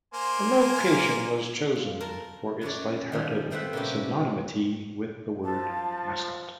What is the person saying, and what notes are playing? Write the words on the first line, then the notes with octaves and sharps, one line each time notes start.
The location was chosen for its lighthearted synonymity with the word mascot.
A#3 C5 G#5
F4
A#4 A5
F#2 C#4 C#5 D5
D#3 F3 G3
G3 A3 B3 C4 E5 F#5
A#2 C#3 C#4 E4 G4
F3 A5